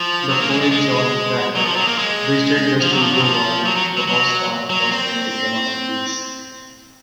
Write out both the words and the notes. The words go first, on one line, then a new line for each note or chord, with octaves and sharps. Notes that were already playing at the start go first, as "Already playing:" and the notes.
The poet Georg Trakl visited the studio while Kokoschka was painting this masterpiece.
Already playing: F3
F#3
A#3
G#3
G#3
G#3
F#3
F3
F#3
A#3
G#3
F3
F#3
F3
F#3
F3
F#3
F#3
F#3
F#3
F#3
C4